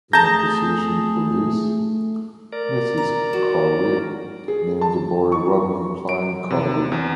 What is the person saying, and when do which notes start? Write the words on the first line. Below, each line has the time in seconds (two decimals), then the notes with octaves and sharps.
In appreciation for this, Mrs. Carew named the boy Rodney Cline Carew.
0.13 A3 G#4 A5 A#5 G6
2.53 A#4 D5
2.98 A#5
3.33 F#4
4.48 G#4
4.81 A5
5.32 C#6
6.09 D7
6.50 C3
6.92 E2